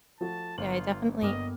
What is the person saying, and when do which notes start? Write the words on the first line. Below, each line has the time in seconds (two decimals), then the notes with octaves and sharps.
Yeah, I definitely
0.21 F3 A3 F#4 A5
0.58 G1 F4 F#7
1.22 G2 A#3 B3 D#5 D6 F6